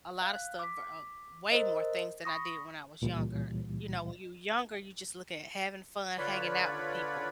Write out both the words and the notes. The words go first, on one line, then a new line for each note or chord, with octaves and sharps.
a lot of stuff, uh, way more things than I did when I was younger. You know, when you younger, you just look at having fun, hanging out with people,
F5 F#6
D6 B6
A#4 C5 D#5
B5 C#6 D#6 A#6
C#2 A#2 E3 G3
D3 F4 B4 C#5 D5 B5